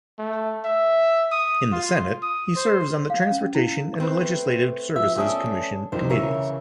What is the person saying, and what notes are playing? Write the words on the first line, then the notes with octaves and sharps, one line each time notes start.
In the Senate, he serves on the Transportation and Legislative Services Commission committees.
A3
E5
D#6
F4
D#6
C5
F5
C#4
E4
A3 C4 B4
F3 E5
A3 C#4 D4 E5 D#6
C2 F2 D#3 C5
C#3 E3 A#4 C#5 E5